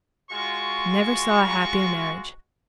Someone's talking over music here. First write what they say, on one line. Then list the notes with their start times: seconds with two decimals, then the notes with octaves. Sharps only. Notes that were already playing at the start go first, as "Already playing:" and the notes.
"Never saw a happier marriage."
0.30 G#3 F4 F#4 C#6